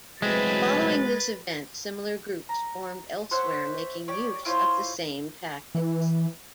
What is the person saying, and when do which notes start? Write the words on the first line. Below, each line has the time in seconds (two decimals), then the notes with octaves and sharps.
Following this event, similar groups formed elsewhere making use of the same tactics.
0.22 B2 E3 F#3 G#3 A3 C4 B4 A6
2.49 A#5
3.31 C5 C#5 E5 F#5
4.08 G4 C#5 D5
4.45 E4 F4 C5 C#5
5.75 E3